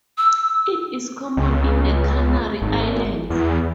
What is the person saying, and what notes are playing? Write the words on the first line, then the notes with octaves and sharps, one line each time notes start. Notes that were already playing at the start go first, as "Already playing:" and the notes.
It is common in the Canary Islands.
E6
C#2
G#1
E2